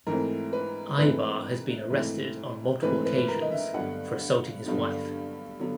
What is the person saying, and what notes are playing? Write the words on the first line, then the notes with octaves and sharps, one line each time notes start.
Aybar has been arrested on multiple occasions for assaulting his wife.
G#2 E3 A3 C4 A#4
B4
G#2 E3 A3 C4 B4
G#2 E3 A3 C4
G#2 E3 A3 C4 B4
B4
B4
A#4
D#5
E5
G2 D3 F#3 B3 F#5
G2 D3 F#3 B3
D3 F#3 B3